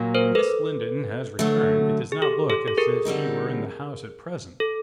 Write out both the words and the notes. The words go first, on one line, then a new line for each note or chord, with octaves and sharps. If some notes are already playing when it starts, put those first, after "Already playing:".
'If Miss Lindon has returned, it does not look as if she were in the house at present.'
Already playing: A#2 F#3 A#3
A#4 C5
A4 B4
D3 F#3 A3
G#4
G4 A4
G4 A4
A4
G#4 A#4
D3 G3 C4 D#4
A4